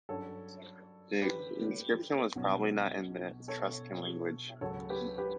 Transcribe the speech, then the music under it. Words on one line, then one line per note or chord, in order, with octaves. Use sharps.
The inscription was probably not in the Etruscan language.
G2 F#3 C#4 A4 C#5
G4 B4
B1 B2 F#3 C#4
A4 C#5
C#2 C#3 F#3 A4 C#5
G4 B4
G4 B4